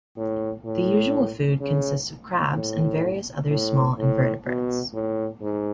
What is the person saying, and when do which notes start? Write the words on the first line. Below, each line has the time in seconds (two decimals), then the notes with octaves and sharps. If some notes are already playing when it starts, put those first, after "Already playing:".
The usual food consists of crabs and various other small invertebrates.
0.18 A2
0.65 A2
1.61 C#3
2.56 A2
3.51 A2
3.99 A2
4.46 B2
4.94 A2
5.41 G#2